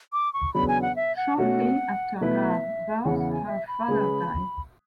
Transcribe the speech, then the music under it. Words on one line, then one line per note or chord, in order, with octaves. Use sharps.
Shortly after her birth her father died.
D6
C#6
E2 C#3 F#3 B3 D4 B5
G#5
F#5
E5
F#5
B2 A3 C#4 F#4 F#5
B2 A3 E4 B4 E5
E2 C#3 E3 F#5
F#5
G#5
E5
B5
C#3 G#3 C#4 G#4 B4